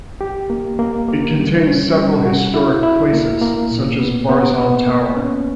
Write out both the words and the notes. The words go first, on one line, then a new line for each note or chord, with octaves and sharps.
It contains several historic places, such as Barzan Tower.
G4
A#3
A#3
A#3
G3
C#4
G3
F#4
E4
E4
A#3
A#3
A#2
B3
B3
B3
A#3
C#4